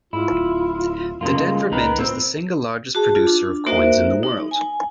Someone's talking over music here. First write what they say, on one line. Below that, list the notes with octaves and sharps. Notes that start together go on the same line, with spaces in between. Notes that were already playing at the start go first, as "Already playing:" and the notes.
The Denver Mint is the single largest producer of coins in the world.
G#2 E4 F4
D1
F#2 C#3 A#3 F4
G#3
C#2 D#4 A#4 B4
A#2 C4
F#4 G#4 A5
F4
D4
A#3 D#4 F#4 A#4 C5 E5
D#4
G#5